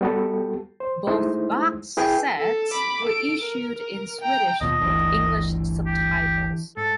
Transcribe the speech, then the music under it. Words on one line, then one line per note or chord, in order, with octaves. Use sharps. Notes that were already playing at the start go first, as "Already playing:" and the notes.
Both box sets were issued in Swedish with English subtitles.
G3 B3 F#4 G4 A4
C5
G#3 A3 D#4 E4 C5
E4 G#4 B4 G5 G#5
A4
B5 D6
A4 D7
A#4
A#4
G5 A#5
D#2 B2 F3 D#5
G1 D2 E3 F3 D4
G4
G#2 A4